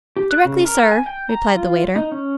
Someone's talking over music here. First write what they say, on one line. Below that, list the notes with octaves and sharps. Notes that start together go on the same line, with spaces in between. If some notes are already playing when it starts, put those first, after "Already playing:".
'Directly, sir,' replied the waiter.
G4
F#6
C#3
A#4
G#5
G5
A#5
F4
D#4
C#4